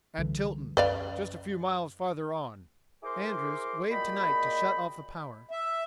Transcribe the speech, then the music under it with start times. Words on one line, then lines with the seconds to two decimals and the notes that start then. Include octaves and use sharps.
"At Tilton--just a few miles farther on." Andrews waved to Knight to shut off the power.
0.18 C2 D3 E3
0.77 F#2 B4 D5 F5
3.03 E4 G#4 A#4 C5 C6 D6
3.89 A#2 G#3 F#4 D#5 G5 B5
5.51 E5